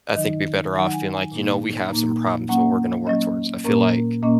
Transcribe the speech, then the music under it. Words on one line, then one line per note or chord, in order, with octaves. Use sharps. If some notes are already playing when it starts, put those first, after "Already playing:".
I think it'd be better off being like, "You know, we have some problems, but we're gonna work towards." I feel like
D#3 F#3 D#4 D#5
D#3 F#3 D#4 F#5
G#5
G#5
A#2 A#3 D#4
A#2 A#3 D#4
F#3 A#3 C#4 F#5
F#3 A#3 C#4 D#5
A#2 A#3 C#4 A#4
A#2 A#3 C#4 D#5